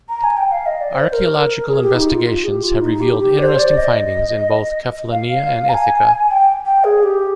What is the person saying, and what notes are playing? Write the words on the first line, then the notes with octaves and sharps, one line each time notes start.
Archeological investigations have revealed interesting findings in both Kefalonia and Ithaca.
A#5
G#5
G5
F5
D#5
D5
C5
C5
A#4
A#4
G#4
G4
D#4
F4
F4
G#4
G4
F4
D#4
G4
G4
D5
C5
D5
D#5
F5
A#5
G#5
G#5
G5
G5
G#4
G4